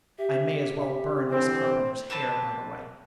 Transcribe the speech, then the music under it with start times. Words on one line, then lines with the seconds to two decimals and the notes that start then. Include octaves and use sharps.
I may as well burn Miss Carpenter's hair, by the way.
0.18 G4 E5
1.30 D3 E3 C4 C5
2.10 A#3 C4 B4 A5